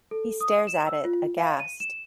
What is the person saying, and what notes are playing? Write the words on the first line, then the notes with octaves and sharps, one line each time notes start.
He stares at it, aghast.
A4
D#6
E7
E6
F4
F5
D#7
E7